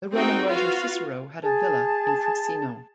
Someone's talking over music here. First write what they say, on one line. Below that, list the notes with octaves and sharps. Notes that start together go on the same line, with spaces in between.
The Roman writer Cicero had a "villa" in Frusino.
C4 D#4 F#4 G#4 A#4 G5
F4 F#4 B4 F5
G#4 A5